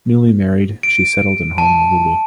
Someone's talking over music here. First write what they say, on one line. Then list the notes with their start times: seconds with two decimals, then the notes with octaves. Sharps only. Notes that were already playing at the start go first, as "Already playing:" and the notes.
Newly married, she settled in Honolulu.
0.83 D7
1.58 A5